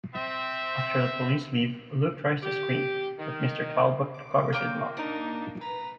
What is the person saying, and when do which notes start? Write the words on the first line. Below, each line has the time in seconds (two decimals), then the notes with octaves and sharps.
After the police leave, Luke tries to scream, but Mr. Talbot covers his mouth.
0.14 C4 E5
2.43 G4
3.19 D#3
4.14 D6
4.52 A#3 F4 G5 D6
4.97 D4 D#4 A#4
5.61 B4 A#5